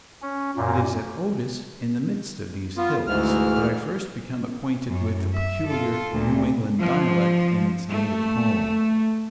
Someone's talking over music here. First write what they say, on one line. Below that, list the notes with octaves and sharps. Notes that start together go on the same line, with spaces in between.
It is at Otis, in the midst of these hills, that I first become acquainted with the peculiar New England dialect in its native home.
C#4
F#2 A#2
B3 F4
D2 G#2 E3 F6
F#2
E5
F4 A4
D2 A#2
F3
A3